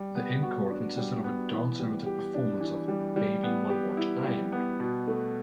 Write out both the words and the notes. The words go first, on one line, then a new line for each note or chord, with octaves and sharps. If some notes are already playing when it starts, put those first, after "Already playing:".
The encore consisted of a dance-oriented performance of "...Baby One More Time".
Already playing: G3
B3
F#4
D4
G3
B3
E3
G3
G4
D4
E3
G3
G3
B3
G4
E4
G3
B3
B2
A3